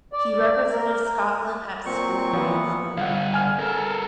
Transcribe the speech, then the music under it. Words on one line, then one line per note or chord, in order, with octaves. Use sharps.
He represented Scotland at schoolboy level.
D5
A#4
A#2 F#3 C4 C#6
E3 F3 B3
D3 G3 F5 F#5
G#5 F6
A4 A#4